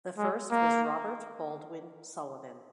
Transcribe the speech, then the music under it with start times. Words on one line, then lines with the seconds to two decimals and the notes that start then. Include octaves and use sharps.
The first was Robert Baldwin Sullivan.
0.18 G#3
0.51 A#3